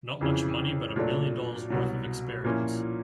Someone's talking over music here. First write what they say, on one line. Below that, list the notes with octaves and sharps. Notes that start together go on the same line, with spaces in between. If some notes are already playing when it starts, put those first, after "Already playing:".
Not much money but a million dollars worth of experience!
F2 C#3 E3
A#2 F#3 A3 D4
C2 B2 F#3
A#2 F3 A#3 C#4 E4